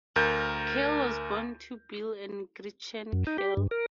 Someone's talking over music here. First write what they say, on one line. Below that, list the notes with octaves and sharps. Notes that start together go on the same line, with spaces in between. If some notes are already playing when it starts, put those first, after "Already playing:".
Curl was born to Bill and Gretchen Curl.
D2 A#4 G6
F#2
D#4
G4
G2
A#4